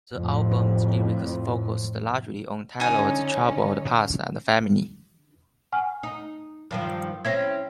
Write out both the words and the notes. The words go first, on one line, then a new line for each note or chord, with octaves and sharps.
The album's lyrics focused largely on Taylor's troubled past and family.
F2 A2
D3 C#4 D#4 G#5
F#5 G#5 F6
D#4
G2 D#3 F3 F#3
C4 C#4 E4 G#6 A#6